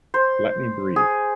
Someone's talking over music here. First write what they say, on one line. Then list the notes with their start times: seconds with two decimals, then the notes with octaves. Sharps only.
Let me breathe!
0.14 C5
0.96 G#4